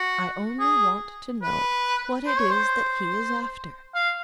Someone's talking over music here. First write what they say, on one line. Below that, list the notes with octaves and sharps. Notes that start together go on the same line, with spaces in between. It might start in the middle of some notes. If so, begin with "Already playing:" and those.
I only want to know what it is that he is after.
Already playing: F#4
G#4
B4
C5
C#5
C5
F5